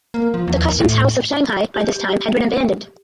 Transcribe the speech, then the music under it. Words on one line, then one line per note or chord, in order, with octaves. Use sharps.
The Customs House of Shanghai by this time had been abandoned.
A#3
F3
E2
D#2
A2
G4